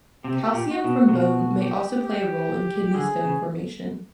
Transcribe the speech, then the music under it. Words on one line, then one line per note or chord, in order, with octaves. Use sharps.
Calcium from bone may also play a role in kidney stone formation.
C3 G4
A#2
F#4
B2
C3
B2 F#4
G4
G4
D3 G#4
C#3